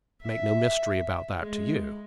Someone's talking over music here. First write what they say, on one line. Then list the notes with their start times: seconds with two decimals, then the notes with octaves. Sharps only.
I make no mystery about that to you.
0.22 E5
1.39 G#3